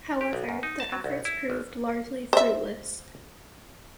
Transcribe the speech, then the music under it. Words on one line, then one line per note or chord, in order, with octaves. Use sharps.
However, the efforts proved largely fruitless.
G4
B1
F#2
D#4
A5
F#3
C2
E4
G#1
C5 E5